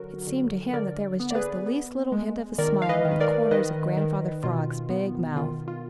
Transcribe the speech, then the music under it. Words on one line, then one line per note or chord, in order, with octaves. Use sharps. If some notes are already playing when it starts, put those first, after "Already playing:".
It seemed to him that there was just the least little hint of a smile in the corners of Grandfather Frog's big mouth.
Already playing: D3 F#3 F#4 A#4
D3
D3 A#4 D5
B3
D5
G#4 B4
B3
G#3
D#3 A#4 D5
F5
B4 D#5
D#3
B4
A#4 D5
D#3 B4 D#5
D#3
B2 F4
B3
D#3 F4
F4